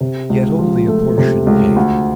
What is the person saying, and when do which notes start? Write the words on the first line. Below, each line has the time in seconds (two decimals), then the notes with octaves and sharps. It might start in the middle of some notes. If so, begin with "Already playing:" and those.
Yet only a portion came.
0.01 C3
0.30 C#2
0.59 F3
0.88 A3
1.18 C3
1.47 C#2
1.76 D2